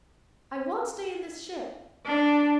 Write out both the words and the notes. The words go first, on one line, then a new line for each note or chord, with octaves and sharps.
I won't stay in this ship!
D4